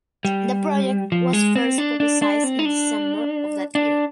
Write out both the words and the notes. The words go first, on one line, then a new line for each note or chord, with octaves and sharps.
The project was first publicized in December of that year.
G3
F3
G#3
C4
D4
D4
D4
C4
D#4
D4
D4